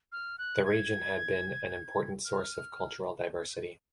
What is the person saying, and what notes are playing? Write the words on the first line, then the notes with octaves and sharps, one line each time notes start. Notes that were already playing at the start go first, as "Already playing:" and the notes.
The region had been an important source of cultural diversity.
F6
F#6
G#6
F6